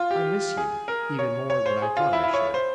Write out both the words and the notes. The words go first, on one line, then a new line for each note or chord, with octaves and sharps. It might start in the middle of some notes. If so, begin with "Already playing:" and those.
I miss you--even more than I thought I should.
Already playing: F4
G4
G#4
A#4
C#5
C#5
C5
G#4
F4
E4
E4
C#5
C5